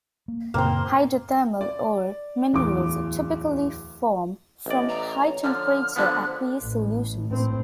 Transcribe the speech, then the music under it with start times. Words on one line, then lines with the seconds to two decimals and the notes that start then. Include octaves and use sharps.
Hydrothermal ore minerals typically form from high temperature aqueous solutions.
0.28 A#3
0.54 F#2 A#2 C#3 A#3 C4 C5
1.61 D5
2.53 D1 E2 D6
4.66 A1 D5 D#5
4.89 A#5
5.16 C#5
5.44 D3 F3 F6
5.96 D3 F3 B3 C5 F#6
6.63 A1
7.28 A2 C4